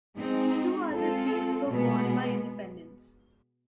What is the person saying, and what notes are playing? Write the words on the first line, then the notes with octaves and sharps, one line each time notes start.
Two other seats were won by independents.
G#3 C4 D#4
G#3 C4 F4 A4
B2 G#3 B3